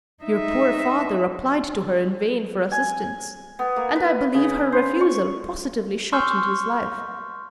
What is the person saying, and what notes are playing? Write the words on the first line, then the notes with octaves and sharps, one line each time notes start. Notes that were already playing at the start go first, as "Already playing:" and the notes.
Your poor father applied to her in vain for assistance, and I believe her refusal positively shortened his life.
D#4 E5
G#5
B3
A#3
B4
C#3
C5
C#6
C6 C#6 E6 F6 G6